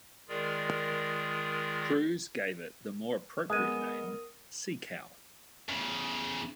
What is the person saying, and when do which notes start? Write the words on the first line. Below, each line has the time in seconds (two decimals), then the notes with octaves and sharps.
Crews gave it the more appropriate name "Sea Cow".
0.29 D#3 G#3 F4 G#4 A#4 D5
3.50 G#3 B3 A#4 D#6 D#7
5.69 E2 C#3